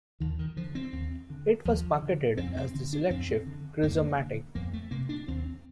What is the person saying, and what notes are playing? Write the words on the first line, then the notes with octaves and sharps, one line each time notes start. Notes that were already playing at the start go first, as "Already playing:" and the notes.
It was marketed as the "SelectShift Cruise-O-Matic".
D#2 D#3
D#3
D3 F3
C4
D#2
D3
D#2 F3
D3
F2 C4
C4
D3
D4
F2 C4
D3
F2 A#3
D3
F2 A#3
A3
C3 A#3
D4
D#2 C4